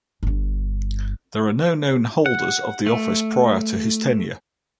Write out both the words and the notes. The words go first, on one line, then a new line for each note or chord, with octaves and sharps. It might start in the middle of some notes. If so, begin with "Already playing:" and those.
There are no known holders of the office prior to his tenure.
G1 G2
F#5
A3